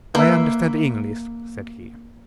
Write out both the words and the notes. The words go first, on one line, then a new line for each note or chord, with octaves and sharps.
"I understand English," said he.
A#3 B4 E5